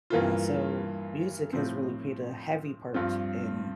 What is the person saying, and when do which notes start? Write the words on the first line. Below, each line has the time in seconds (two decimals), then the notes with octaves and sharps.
uh, so music has really paid a heavy part in
0.10 G2 E3 A#3 F4
1.53 A2 F3 C4
2.94 G2 F3 C4 F4